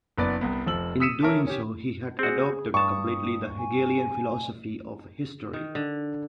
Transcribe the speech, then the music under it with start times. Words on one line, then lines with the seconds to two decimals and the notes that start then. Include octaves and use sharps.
In doing so, he had adopted completely the Hegelian philosophy of history.
0.18 F#1 B3 B4 D5 A6
0.41 C2 B3
0.66 F1 F3 E6 F#7
1.00 D#6 E6 B6 C#7 D#7 E7
1.22 C#4 A#4 E5 A5
1.47 C#4 G4
2.19 C4 F#4 G#4
2.74 G2 A5 C#6 D#6
3.58 G#5
5.53 D#3
5.75 D3